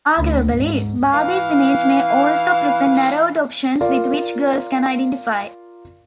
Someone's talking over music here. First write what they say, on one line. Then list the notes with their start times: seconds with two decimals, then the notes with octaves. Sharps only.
Arguably, Barbie's image may also present narrowed options with which girls can identify.
0.19 D2
0.55 G#2
1.12 E3 E4 F5
3.81 F4 A#4 D5